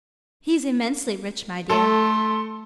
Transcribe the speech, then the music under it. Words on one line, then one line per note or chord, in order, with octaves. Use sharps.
He's immensely rich, my dear.
A3 A4 C6